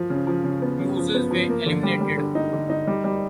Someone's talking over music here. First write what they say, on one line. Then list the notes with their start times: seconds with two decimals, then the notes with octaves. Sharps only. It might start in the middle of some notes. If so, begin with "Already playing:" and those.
Losers were eliminated.
Already playing: F3
0.10 C#3
0.27 F3
0.44 C#3
0.62 B3
0.80 C#3
0.97 F3
1.14 B3
1.31 F3
1.49 A#3
1.66 D3
1.83 G3
2.01 G3
2.18 D3
2.35 D#4
2.53 D3
2.70 D#4
2.87 G3
3.04 G3